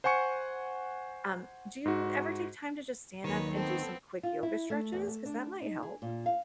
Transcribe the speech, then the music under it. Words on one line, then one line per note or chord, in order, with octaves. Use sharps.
um, do you ever take time to just stand up and do some quick yoga stretches? 'Cause that might help.
C5 F#5 G#5 C#6 C#7
G#2 F#4
D#2 D#3 F#3 A#3 B4 C#5
B3 C4 A4
F4
E4
A3
E2
A3
D4
D#4
G#4
A#2
F5